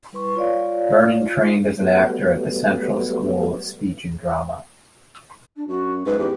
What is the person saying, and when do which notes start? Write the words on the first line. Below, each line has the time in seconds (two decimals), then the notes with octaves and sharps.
Vernon trained as an actor at the Central School of Speech and Drama.
0.13 G3 E4 B4 C6 C#6
0.36 F4 C#5 D5 F5
1.22 F4
1.80 F#3 G3 A3 B3
5.56 D4
5.68 F#2 F#4
6.05 G#2 B4
6.18 E2 G4